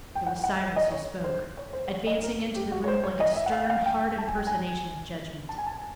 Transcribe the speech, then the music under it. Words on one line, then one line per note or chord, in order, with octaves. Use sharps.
It was Cyrus who spoke, advancing into the room like a stern, hard impersonation of judgment.
G5
F#5
F#5
D#5
C#5
C5
C#5
C5
C#5
D#5
A#4
A4
G4
F#4
C#5
C5
C#5
D#5
E5
F#5
F5
F5
G5
G5
A5
G#5
G5
G#5
A5
G#5
A5